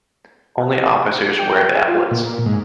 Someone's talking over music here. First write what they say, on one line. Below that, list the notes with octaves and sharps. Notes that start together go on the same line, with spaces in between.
Only officers wear the epaulettes.
G5
G#4
F4
A#2
G#2